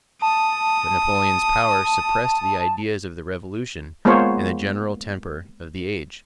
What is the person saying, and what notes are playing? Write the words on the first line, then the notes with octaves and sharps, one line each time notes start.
But Napoleon's power suppressed the ideas of the Revolution and the general temper of the age.
A5 D#6
G#3 A#3 B3 F4 C5 C#5